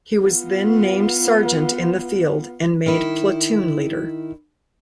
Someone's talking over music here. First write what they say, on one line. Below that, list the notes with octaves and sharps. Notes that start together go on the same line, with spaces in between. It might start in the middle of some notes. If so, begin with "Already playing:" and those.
He was then named sergeant in the field and made platoon leader.
B3 F4
D#3 E4